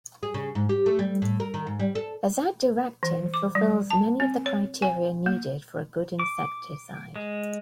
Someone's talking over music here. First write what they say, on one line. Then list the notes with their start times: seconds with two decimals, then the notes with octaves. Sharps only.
Azadirachtin fulfills many of the criteria needed for a good insecticide.
0.23 G#4
0.34 C#3
0.55 G#2
0.69 G4
0.86 A3
0.99 G3
1.22 A2
1.40 A#4
1.54 D#3
1.67 G#2
1.80 G3
1.95 A4
3.03 E3
3.34 D6
3.55 G3
3.90 A5
4.20 C4
4.46 C#5
4.82 G#5
5.26 A#3
6.19 D6
7.16 G#3